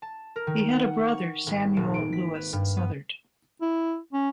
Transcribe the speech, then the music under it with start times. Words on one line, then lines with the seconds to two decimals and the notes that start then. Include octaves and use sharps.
He had a brother, Samuel Lewis Southard.
0.02 A5
0.36 A#4
0.47 D#3
0.73 F#5
1.08 C#6
1.47 G#1
1.77 D#1
1.94 D7
2.13 B6
2.35 B4
2.53 G2
2.77 B3
3.61 E4
4.13 C#4